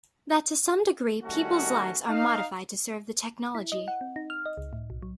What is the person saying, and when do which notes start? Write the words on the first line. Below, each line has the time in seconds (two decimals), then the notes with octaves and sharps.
That to some degree peoples lives are modified to serve the technology.
1.23 D#3 G3 A3 C#4 F#4
2.08 D#4 F5
3.55 E4
3.72 D#5
3.88 F#5
4.01 C4
4.16 D#4
4.30 F6
4.46 D#5
4.57 C#2
4.73 A2
4.90 B1
5.03 F#3